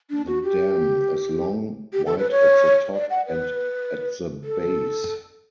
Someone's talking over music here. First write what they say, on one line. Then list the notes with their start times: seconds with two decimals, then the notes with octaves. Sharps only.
The dam is long, wide at the top and at the base.
0.10 D4
0.27 F#4
0.43 G4
1.93 G4
2.06 A4
2.18 B4
2.31 C#5
2.94 D5
3.10 F#5
3.27 B4
4.44 A4